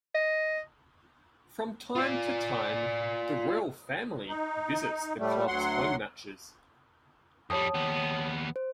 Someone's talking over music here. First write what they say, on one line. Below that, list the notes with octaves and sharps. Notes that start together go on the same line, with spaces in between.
From time to time the royal family visits the clubs home matches.
D#5
F4 D5
D#4
A2 G3 A3
D2 F#3 F#5 C6
F2 G3 C#5 A5 D#6
D#2 B3
C5